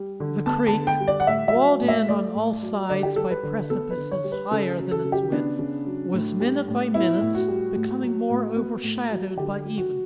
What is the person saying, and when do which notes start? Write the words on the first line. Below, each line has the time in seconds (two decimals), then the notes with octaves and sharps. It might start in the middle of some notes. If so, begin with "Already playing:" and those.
The creek, walled in on all sides by precipices higher than its width, was minute by minute becoming more overshadowed by evening.
Already playing: G3
0.20 D3
0.46 B3 A5
0.67 A5
0.73 D3
0.87 G5
1.00 G3
1.08 D5
1.20 F#5
1.27 A2 E5
1.48 E5
1.54 F#3
1.81 A2
1.88 E5
2.08 A3 D5
2.35 A2
2.62 F#3
2.89 D3 D5
3.03 G4
3.16 G3 A4
3.31 B4
3.43 D3
3.70 B3 A4
3.91 B4
3.97 D3
4.11 C#5
4.24 G3
4.32 B4
4.52 C#3 A4
4.79 F#3
4.91 A4
5.05 C#3
5.12 G4
5.32 B3 D4
5.59 C#3
5.86 F#3
6.13 A2
6.40 G3
6.68 A2
6.94 B3 E4
7.21 A2
7.35 F#4
7.48 G3
7.76 A2
8.02 F#3
8.29 A2
8.56 B3
8.83 A2
9.11 F#3
9.37 D3 G4
9.65 F#3
9.78 F#4